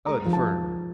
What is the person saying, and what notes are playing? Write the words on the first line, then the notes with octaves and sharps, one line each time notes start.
Oh, the firm.
G#3 A#5
F3
A5